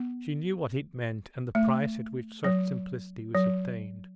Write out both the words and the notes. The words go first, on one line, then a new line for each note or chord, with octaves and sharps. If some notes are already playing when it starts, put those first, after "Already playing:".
She knew what it meant, and the price at which such simplicity was obtained.
Already playing: B3
A3
F#3
F#3